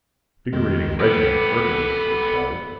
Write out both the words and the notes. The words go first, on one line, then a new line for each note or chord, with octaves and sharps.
"Invigorating regimen, certainly!" said Bell.
F2 D#3 G#3
B3 G4 A4 B5 D6